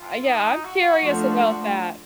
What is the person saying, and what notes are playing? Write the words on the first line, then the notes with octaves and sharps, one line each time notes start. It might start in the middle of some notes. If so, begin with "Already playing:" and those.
Uh, yeah, I'm curious about that.
Already playing: F4
D#4
F#4
F3 A3 D4 F#4